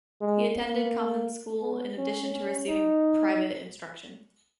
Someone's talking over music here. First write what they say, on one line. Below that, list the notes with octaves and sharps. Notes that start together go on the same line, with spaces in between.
He attended common school in addition to receiving private instruction.
G#3
A#3
B3
C#4
C#4
D#4